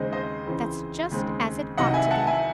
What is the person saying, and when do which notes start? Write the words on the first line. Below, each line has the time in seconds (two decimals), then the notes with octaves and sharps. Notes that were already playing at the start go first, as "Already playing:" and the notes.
That's just as it ought to be.
Already playing: D#2 C#3 G#3 C4 C5 D#5
0.12 C5 D#5
0.46 C#2 C#3 E3 C4
1.11 D#2 C#3 G#3 C4
1.77 C2 C3 D#3 F#3 D#5 F#5
1.94 E5 G#5
2.11 F#5 A5
2.27 E5 G#5